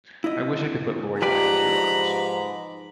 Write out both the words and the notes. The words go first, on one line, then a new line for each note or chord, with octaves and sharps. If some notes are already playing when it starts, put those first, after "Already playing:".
I wish I could put Lori back into your arms.
E4 D#5
G#2 F3 G4 B4 D5 A#5 B5